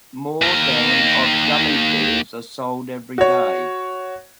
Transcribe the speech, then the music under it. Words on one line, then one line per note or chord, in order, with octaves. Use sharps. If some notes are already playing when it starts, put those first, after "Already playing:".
More than of gummy bears are sold every day.
D#2 A#4
F#4 C#5